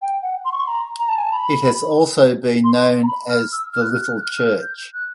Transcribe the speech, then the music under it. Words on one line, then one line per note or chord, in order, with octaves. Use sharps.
It has also been known as The Little Church.
G5
F#5
C6
C#6
C6
A#5
A#5
A5
G#5
A5
B5
C6
A#5
B5
F6
E6
F6
F#6
F6
F#6
F6
F#6
F6
F#6
F6
G6
F#6